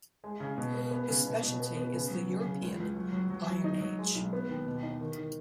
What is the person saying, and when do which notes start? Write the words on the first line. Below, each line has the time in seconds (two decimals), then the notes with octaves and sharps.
His speciality is the European Iron Age.
0.24 G#3
0.40 C#3
0.58 B2
0.74 B3
0.91 B3
1.08 C#3
1.25 B2
1.43 B2
1.60 B3
1.77 B3
1.93 C#3
2.10 F#3
2.28 C#3
2.44 C#3
2.62 C#2
2.79 C#2
2.95 F#3
3.13 F#3
3.30 F#3
3.47 F#3
3.64 D#4
3.81 F#3
3.99 G#3
4.15 B1
4.33 B3
4.49 D#2
4.66 B2
4.83 D#4
5.01 D#3
5.18 D#3